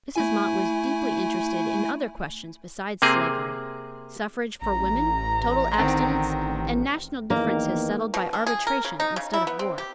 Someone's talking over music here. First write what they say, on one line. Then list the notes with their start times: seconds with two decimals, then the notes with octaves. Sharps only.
Mrs. Mott was deeply interested in other questions besides slavery,--suffrage for women, total abstinence, and national differences settled by arbitration instead of war.
0.16 A3 E4 G#5
3.02 C3 A#3 C4 G#4
4.62 A1 A#5
5.78 D3 D#3 C4
7.30 E2 D#3 A#3
8.14 B2
8.33 D4
8.47 G#4
8.67 A#4
8.85 C#3
9.00 D#4
9.16 C#3
9.34 E4
9.47 B3
9.59 C4
9.78 G4